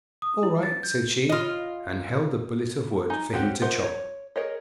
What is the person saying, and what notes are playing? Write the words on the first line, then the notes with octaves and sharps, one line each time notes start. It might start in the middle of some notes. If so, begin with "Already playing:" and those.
'All right,' said she, and held a billet of wood for him to chop.
D#6
E4
A6
G6
F4 D#5
D#4 G#5
C4 C#4 F#4 G4
F4 A#4 C5 E5 F#5
C#5
G#4 A#4 C#5 D#5